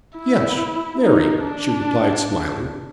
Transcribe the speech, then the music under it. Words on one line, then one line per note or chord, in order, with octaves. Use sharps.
"Yes--very," she replied, smiling.
E4
D#4
D4